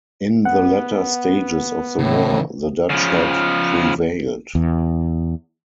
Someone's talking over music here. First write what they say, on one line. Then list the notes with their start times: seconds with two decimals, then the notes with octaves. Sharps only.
In the latter stages of the war, the Dutch had prevailed.
0.45 B3 F#5
1.99 A2 C#3 E3
2.90 C#3 F3
4.55 E2